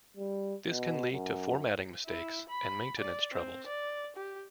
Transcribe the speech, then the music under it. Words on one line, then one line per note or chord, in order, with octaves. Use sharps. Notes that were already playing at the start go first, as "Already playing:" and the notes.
This can lead to formatting mistakes and maintenance troubles.
G3
B2
F#2
E4
B5
D5
C4
D5
G4